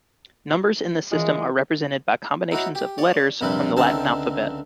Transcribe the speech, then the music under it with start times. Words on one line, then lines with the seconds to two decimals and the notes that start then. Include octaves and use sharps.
Numbers in this system are represented by combinations of letters from the Latin alphabet.
1.11 A#2 C#3 E3 G#3 F4
2.51 D#4 E4 F#4 C#5
2.75 G4
2.98 C#5 D5
3.41 A#1 F2 C3 G3 C4 B4
3.77 C#2 D3 C4 D#4 E5 A5